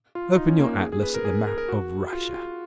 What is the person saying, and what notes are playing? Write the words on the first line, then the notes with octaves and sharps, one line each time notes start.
Open your atlas at the map of Russia.
F4
D#4
C#4
A#3
G#4
G#4
B4
A#4
G#4
A#4
A#4
F#4
F4
F4